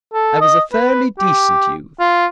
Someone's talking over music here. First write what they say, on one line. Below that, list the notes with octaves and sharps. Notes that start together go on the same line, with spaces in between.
I was a fairly decent youth.
A4
D#5
B4
G4
F4